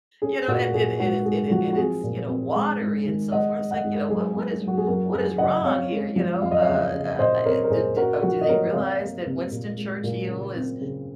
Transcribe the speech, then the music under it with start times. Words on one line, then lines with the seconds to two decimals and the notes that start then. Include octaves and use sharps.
you know, and and and it's and it and it's you know, watery and so forth. It's like, you know, what what is what is wrong here, you know, uh, uh, uh, d d uh, do they realize that Winston Churchill is
0.22 C#4 G#4
0.48 A#2 F#4
0.74 A#2 G#4
1.00 G#2 F#4
1.25 G#2 G#4
1.51 F3 F#4
1.73 F#4
1.77 C4 G#4
2.03 A#2
2.29 C4
2.55 G#3
2.81 G#2
3.07 D#3
3.32 G#3 D#5 F#5
3.57 G#3
3.71 D#5 F#5
3.84 G#2
4.10 F#3 G#4
4.35 A#3
4.61 F#3
4.68 F#4
4.77 G#4
4.87 F#2 F#4 A#4
5.13 F#2 G#4
5.38 C#3 D#5 F#5
5.64 C4 C#5 F5
5.91 G#3
6.16 F3
6.42 F2 F5
6.51 D#5
6.61 C#5 F5
6.68 C#3
6.93 C#3
7.19 A#2 C5 D#5
7.45 C4 A#4 C#5
7.64 A#4
7.70 A#2 G#4 C5
7.97 C#4 F#4 A#4
8.23 F3 F#4
8.41 D#5
8.48 A#3 A#4 C#5
8.74 C3 C#5 F5
9.00 A#3
9.26 C3
9.51 A#2
9.77 G#3
10.03 A#2
10.29 C#3
10.56 C4
10.81 C#3